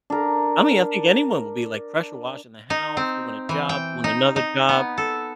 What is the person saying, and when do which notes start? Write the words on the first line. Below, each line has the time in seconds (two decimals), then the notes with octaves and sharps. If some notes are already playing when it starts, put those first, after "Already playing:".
I mean I think anyone will be like, pressure washing the house, doing a job, doing another job.
0.10 D4 A#4
2.70 D#4
2.97 C4
3.49 E3
3.69 G5
4.04 D#4
4.36 D#4
4.69 B3
4.98 A4